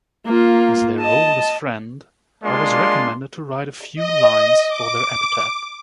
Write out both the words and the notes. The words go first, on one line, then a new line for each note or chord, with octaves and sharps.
As their oldest friend, I was recommended to write a few lines for their epitaph.
A#3 F4
D#5 A5
G#3 A#3 D4 F4 D5 C6
D#5
D6